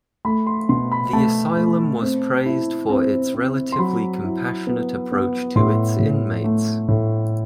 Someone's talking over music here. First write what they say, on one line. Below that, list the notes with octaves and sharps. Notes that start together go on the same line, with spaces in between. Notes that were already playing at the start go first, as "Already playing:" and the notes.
The asylum was praised for its relatively compassionate approach to its inmates.
A3 B5
C6
B2 C6
B5
A3 A5
A3
C4
E4
C4
C4
C6
F#3 B5
E4
B3
B3
A2 C6
A2
A3
A2